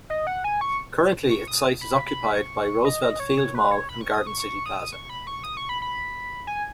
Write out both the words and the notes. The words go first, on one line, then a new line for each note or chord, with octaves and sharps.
Currently its site is occupied by Roosevelt Field Mall and Garden City Plaza.
D#5
F#5
G#5
C#6
C#6
D#6
B5
B5
C#6
D#5
D#5
C#5
C#5
B4
C#5
B5
C#6
D#6
C#6
C#6
D#6
C#6
B5
C#6
D#6
C#6
B5
B5
G#5